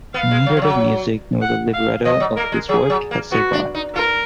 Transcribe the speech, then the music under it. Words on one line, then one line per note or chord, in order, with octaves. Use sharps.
Neither the music nor the libretto of this work has survived.
B3 F5
G#3
F#3
F3
F#3
F#5
F5
F3 D#5
F#3
A#3 A#4
G#3
F#3 G#4
F#3
A#3
B3 F#4
D4
D#4
F4 A#4